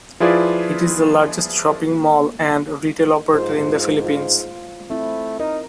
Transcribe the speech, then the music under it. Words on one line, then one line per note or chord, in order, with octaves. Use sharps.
It is the largest shopping mall and retail operator in the Philippines.
F3 E4 F4 G#4 B4 D5
G#2 F4 C5
F4
F4 F5
A3 C4 E4
D#4 A#4